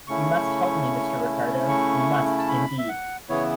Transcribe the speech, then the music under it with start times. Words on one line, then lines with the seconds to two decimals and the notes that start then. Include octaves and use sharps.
You must help me, Mr. Ricardo — you must, indeed!
0.08 C#3 A3 C#4 E4 C#6
1.69 C#6
2.38 A5
2.49 B5
2.79 E5
2.89 F#5
3.29 C#3 E3 B3 E4 C#5